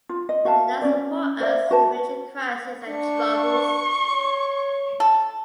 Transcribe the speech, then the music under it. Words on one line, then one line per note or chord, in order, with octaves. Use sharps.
They did not support us in major crises and troubles.
F4
D#5
F#4 E5 F5 A5
C#4 D4 D5
C5 D5 E5
F#4 B4 A5
D4 C#6
C#5
A4